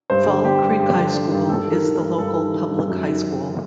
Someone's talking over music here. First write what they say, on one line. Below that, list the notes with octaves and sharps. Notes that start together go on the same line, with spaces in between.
Fall Creek High School is the local public high school.
G2 C5
D3
D3 G4
G2
G2 G4
D3
D3
G2
G2 A4
D#3
A#4
D#3
A#4
G2
G2 A4
D#3
D#3
G2
F#2
D#3